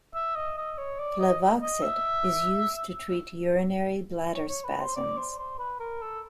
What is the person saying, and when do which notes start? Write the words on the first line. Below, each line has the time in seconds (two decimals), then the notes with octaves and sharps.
Flavoxate is used to treat urinary bladder spasms.
0.14 E5
0.35 D#5
0.57 D#5
0.77 C#5
0.99 D5
1.20 D#5
1.61 D#5
1.83 E5
4.34 C#5
4.49 C#5
4.64 B4
4.80 C5
4.96 D5
5.17 C5
5.38 C5
5.59 B4
5.79 A#4
6.01 A4